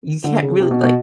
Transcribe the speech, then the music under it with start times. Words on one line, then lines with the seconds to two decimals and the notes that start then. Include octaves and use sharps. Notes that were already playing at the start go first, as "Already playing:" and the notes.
you can't really, like
0.24 D3
0.42 C#3
0.60 C3
0.71 B2
0.83 B2